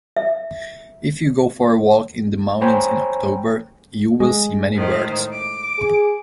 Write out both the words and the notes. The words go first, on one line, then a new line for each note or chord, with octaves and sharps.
If you go for a walk in the mountains in October, you will see many birds.
E5
C5 C#5 G5 G#5 A#5 B5
G#3
A2 D#3 C5
D6
G#4